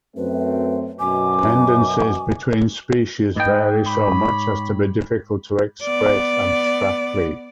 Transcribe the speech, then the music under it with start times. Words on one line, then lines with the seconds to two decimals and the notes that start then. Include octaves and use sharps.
Dependencies between species vary so much as to be difficult to express abstractly.
0.16 F#2 A3 C4 B4
1.00 F#2 B2 G#5 D6
3.36 G#2 B4 D#5 G5
3.86 C#5 B5 D6
5.83 B3 D5